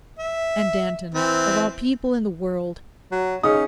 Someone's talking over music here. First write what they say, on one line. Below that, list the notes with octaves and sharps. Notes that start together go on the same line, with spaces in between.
'And Danton, of all people in the world!
E5
E3 C4
F#3
C#3 C#4 D#4 D#6